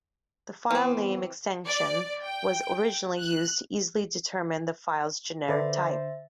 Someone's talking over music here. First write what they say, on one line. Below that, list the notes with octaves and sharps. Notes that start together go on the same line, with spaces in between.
The filename extension was originally used to easily determine the file's generic type.
E3 B3 C4
D5
G5
F#6
D3 A4 B4 C5 D5 E5 A6